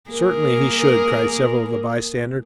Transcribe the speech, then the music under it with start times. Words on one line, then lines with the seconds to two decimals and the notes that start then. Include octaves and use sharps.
"Certainly he should!" cried several of the bystanders.
0.11 A#3 G#4 A#4